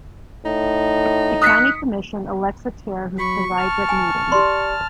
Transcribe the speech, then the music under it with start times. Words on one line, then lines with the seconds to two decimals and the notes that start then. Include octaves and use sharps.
The county commission elects a chair who presides at meetings.
0.45 A2 D#4
1.42 D#6 F#6 B6 C#7
3.19 F#3 B5 C#6
3.58 A5 F6
3.89 G#5
4.32 G4 D5 C6